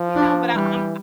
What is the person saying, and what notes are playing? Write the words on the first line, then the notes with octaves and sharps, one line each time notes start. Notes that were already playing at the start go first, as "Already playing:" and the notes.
You know, but I I'm
Already playing: F3
D4
E3 G3